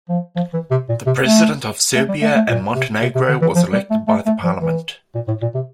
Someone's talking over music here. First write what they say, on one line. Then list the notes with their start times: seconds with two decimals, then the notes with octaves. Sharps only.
The president of Serbia and Montenegro was elected by the parliament.
0.09 F3
0.36 F3
0.54 E3
0.71 C3
0.89 A#2
1.06 C3
1.25 A3
1.95 A3
2.09 G3
2.22 A3
2.35 A3
2.49 A#2
2.75 C3
3.02 C3
3.15 C3
3.29 D3
3.42 E3
3.55 F3
3.73 G3
3.91 A3
4.08 A3
4.26 A3
4.44 F3
4.62 E3
5.15 A#2
5.28 A2
5.42 A#2
5.55 C3